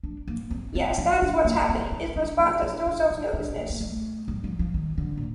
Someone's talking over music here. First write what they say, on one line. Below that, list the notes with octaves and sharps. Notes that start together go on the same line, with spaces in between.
Yes, that is what’s happening, is the response that still shows nervousness.
D4
A#3
C4
C4
D#4
D4
A#3
C4
D#4
D4
A#3
D4
D4
D#4
D4
A#3
A#3
A3
G3
F3
F3
D#3
D3
A#2